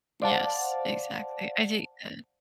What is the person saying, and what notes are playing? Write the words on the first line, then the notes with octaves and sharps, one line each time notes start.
Yes, exactly. I think, uh
C5 D5 F5 F#5 A5